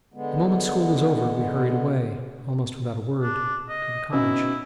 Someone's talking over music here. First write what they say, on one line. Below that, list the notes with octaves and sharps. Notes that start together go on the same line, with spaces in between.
The moment school was over, we hurried away, almost without a word, to the cottage.
D3 G#3 B3
D4
D#5
B2 C#4 D#4 E4